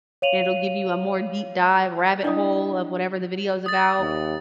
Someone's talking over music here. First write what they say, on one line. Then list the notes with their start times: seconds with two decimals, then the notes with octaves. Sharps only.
and it'll give you a more deep dive rabbit hole of whatever the video is about,
0.22 C#5 F5 D#7 F7 F#7
2.23 D4 E4 D5 D#5 G5 D#6
3.66 D#6 A6
3.99 D#2